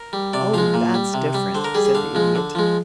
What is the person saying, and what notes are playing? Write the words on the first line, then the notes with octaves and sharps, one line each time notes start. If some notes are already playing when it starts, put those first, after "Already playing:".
"Oh, that's different," said the Idiot.
Already playing: A#4
G3
C3 D5
F3 G#3 F5
A#2
G3
C3
G3
D3 C5
A#4
G3 G#4
G#4
D3 F5
F3 G#3
D3
F3 G#3